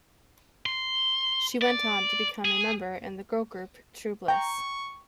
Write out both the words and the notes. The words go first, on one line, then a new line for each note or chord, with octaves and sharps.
She went on to become a member in the girl group TrueBliss.
C6
D5
G#4
G5 A#5 C#6